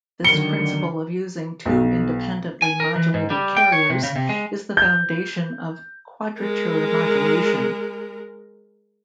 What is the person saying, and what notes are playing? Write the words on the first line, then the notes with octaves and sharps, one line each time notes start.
This principle of using two independently modulated carriers is the foundation of quadrature modulation.
D3 D#3 F#3 C#7 G7
B1
G#5
A#4
E3
G#2
G3
G5
C#5
C3
C#3
C3
G#3
G6
G#3 A#4